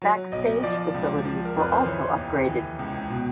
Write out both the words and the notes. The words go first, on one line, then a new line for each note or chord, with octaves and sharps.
Backstage facilities were also upgraded.
F#3
B1 D#5
F3 D5
C#2
F3
A#4
F2 B4
C5
E3 C#5
D#2
E3
C#2
B2